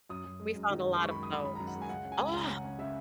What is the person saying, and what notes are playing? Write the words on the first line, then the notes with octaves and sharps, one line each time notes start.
We found a lot of those. Ah!
F#2 D#6
F#2
G#3
F#2
D#3
F#2
G#3 C#6
G#3 B5
D#6
D#3 B5
G#3 B5
F#2 A#5
F#5
G#3
G#5
C#2 F#5
C#4
G#5
C#2
C#3 A#5
C#3
F#5
C#4
C#3 E5